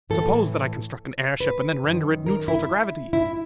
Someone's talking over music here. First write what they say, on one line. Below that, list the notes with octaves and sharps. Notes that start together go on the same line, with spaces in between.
Suppose that I construct an airship and then render it neutral to gravity.
A2 E3 A4
B4
F#2 D#3
A#4
E4
E4